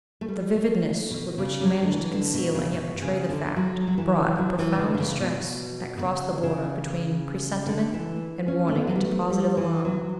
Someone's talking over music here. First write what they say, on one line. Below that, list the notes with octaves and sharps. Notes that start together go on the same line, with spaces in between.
The vividness with which he managed to conceal and yet betray the fact brought a profound distress that crossed the border between presentiment and warning into positive alarm.
A3
G3
A3
B2
C#3
G3
F#3
D3
E3
D3
B2
C#3
B2
B2
C#3
D3
F#3
F#3
E3
F#3
E3
C#3
D3
D3
C#3
B2
B2
C#3
C#3
D3
E3
C#4
A3
B3
F#3
G3
A3
G3
E3
F#3